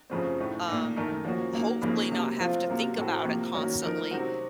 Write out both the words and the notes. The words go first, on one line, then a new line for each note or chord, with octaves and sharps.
um, hopefully not have to think about it constantly,"
F#2 C#3 F3 A3 C4
A2 A3 D#4
A#2 A3 D#4
F#2 D#3 A3 D#4 A#4
F3 A#3 C#4 F#4
F#3 A#3 D#4
F2 C#3 F3 A#3 D#4
C3 F#3 A#3
F3 A3 C4 F4
C3 F#3 A#3 F4 A#4
A2 F#3 C4 F#4 A4
C3 F3 A#3
D#3 F#3 A#3 C#4 F#4
F3 A3 D#4 A#4
C3 F#3 C4 D#4 F#4